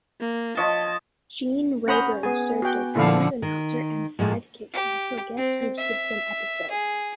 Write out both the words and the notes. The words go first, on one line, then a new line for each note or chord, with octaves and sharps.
Gene Rayburn served as Allen's announcer and sidekick and also guest-hosted some episodes.
A#3
F3 C#5 D#5 A5
C#4 C5 F#5 A#5 B5 D#6
B3 G#4 G#5
F#4 G5
A#2 D3 F3 E4 A4 F5
D#3
A2 F3 G#3
G4
C4
E5
G#4